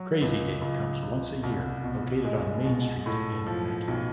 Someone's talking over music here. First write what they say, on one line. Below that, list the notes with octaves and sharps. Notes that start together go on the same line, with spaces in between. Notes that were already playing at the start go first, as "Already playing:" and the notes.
Crazy Day comes once a year located on main street in Magee.
Already playing: F#3
C#2
C#2
C#2
C2
B2
G#3
B2
A2
F3
B1